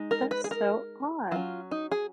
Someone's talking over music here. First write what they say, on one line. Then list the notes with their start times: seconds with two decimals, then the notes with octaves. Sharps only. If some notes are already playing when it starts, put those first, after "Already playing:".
That's so odd.
Already playing: G#3 D#4
0.11 A#4
0.31 B4
0.44 G#4
0.51 A#4
1.31 F#3 C#4 F4
1.71 D#4
1.91 G#4